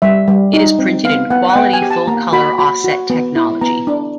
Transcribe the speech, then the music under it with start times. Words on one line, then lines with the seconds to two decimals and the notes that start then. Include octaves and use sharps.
It is printed in quality full colour offset technology.
0.02 G3 E5
0.28 G3
0.53 D#4
0.79 C4
1.04 B3 F5
1.30 B3 F#5
1.50 F#5
1.56 B3 G5
1.73 G#5
1.82 G4
1.91 A5
2.07 A#3 A#5
2.32 F#4 B5
2.59 F#4 B5
2.84 F#4
3.10 B3
3.36 E4
3.61 B3 A#5
3.87 D4